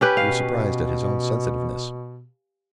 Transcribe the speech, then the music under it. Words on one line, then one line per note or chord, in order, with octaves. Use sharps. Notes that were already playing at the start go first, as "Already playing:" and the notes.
He was surprised at his own sensitiveness.
C#4 G4 B4
B2 F5